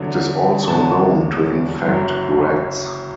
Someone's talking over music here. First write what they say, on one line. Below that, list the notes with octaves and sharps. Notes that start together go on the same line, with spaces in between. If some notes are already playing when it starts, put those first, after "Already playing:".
It is also known to infect rats.
Already playing: E2 D3 F#3
E1 D2 D3 F#3 A5
F#1 F#2 F#3